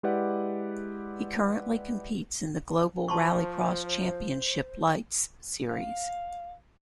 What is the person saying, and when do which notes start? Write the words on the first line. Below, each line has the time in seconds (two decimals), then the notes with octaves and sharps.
He currently competes in the Global RallyCross Championship Lites series.
0.03 G#3 E4 G4 B4 D5 F#5
3.08 F3 C5 A5 C6 C#6
5.68 F5